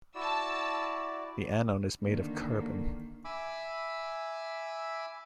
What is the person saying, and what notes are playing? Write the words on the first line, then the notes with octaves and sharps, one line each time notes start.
The anode is made of carbon.
E4 F#4 D5 A5 E6
D3 D#3 A#3
E5 G#5 B5 D6 E6